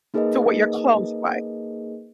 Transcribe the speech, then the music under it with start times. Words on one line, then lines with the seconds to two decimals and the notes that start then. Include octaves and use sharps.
to what your clothes like.
0.14 A#3 D#4 G#4 A#4 B4 D#5